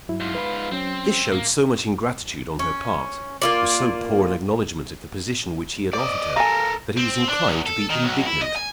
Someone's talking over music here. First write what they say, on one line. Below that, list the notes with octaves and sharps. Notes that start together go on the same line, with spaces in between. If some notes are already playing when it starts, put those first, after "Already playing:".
This showed so much ingratitude on her part,--was so poor an acknowledgment of the position which he had offered her, that he was inclined to be indignant.
G2 F#3 E4
G#2 F4
B4 F5 B5
F#3 C4 C#4
A2 A#3
C#4
A#3 F4 D5
C5 D5 D#5
A4 A#4 F5 G#5 A#5
C4
D4
E2
A4
D#3
B1
E4
D#5
G#5